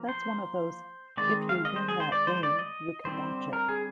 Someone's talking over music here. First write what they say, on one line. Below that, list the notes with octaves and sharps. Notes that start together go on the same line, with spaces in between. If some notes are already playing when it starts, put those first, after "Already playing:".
That's one of those if you win that game, you can watch it.
Already playing: F3 A#3
C5
D#3 G#3 C4 D5
F5
D#5
C5
G#4
C5
D5
C5
D5
D#5
D3 G3 C4 C5
A#4
G#4